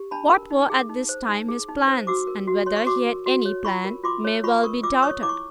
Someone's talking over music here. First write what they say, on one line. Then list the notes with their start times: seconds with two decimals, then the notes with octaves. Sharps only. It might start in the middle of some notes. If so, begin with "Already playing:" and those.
What were at this time his plans, and whether he had any plan, may well be doubted.
Already playing: G4
0.11 D4 A5 B5
0.31 A#4
0.51 D#4
0.70 G#4
0.89 D#4
1.09 C5
1.29 D#4
1.48 G#4
1.69 D#4
1.88 C5
2.07 F#4 D6 E6
2.27 A#4
2.47 F#4
2.66 C#5 C6
2.76 C#6
2.86 F#4 C6 D6
3.07 A#4
3.26 F#4
3.45 C#5
3.65 F4 B5 C#6
3.85 A#4
4.04 F4 C6 D6
4.24 C#5
4.44 F4 B5 C#6
4.63 A#4 C#6 D#6
4.83 F4 D6 E6
5.03 C#5 C#6 D#6
5.22 E4 D6
5.29 C#6